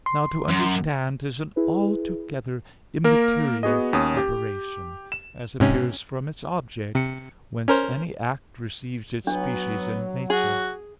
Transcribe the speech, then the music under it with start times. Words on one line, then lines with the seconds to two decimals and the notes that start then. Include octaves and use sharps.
Now to understand is an altogether immaterial operation, as appears from its object, whence any act receives its species and nature.
0.06 C6
0.48 F#2
1.56 E4 G#4 B4
3.04 A#3 A#4
3.63 B3 F#4 G#4 D#5
3.93 D#2 C#4 D#6
4.17 G4
5.12 E7
5.60 G#2 C3 C#4
6.95 C3 C#7
7.68 C#4 A#4 C5
9.27 F#3 B3 D4
10.30 F#4 G#4